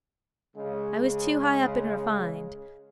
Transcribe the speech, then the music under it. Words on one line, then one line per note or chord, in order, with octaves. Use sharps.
I was too high up and refined.
C#3 G#3